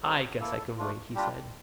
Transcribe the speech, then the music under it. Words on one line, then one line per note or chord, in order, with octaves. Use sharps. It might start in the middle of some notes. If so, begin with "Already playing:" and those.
"I guess I can wait," he said.
G3 C4 F4 A4
A#3 E4 A4
A3 D4 F4
G3 D4 F4 G4